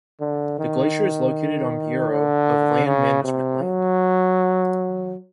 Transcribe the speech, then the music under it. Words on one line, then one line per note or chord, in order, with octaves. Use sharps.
The glacier is located on Bureau of Land Management land.
D3
D#3
D3
C#3
C3
F#3